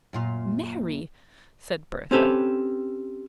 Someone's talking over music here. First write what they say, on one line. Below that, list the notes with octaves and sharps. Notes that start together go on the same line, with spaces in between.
"Mary!" said Bertha.
F#2 A#2 F4
C4 C#4 G4 A4 B4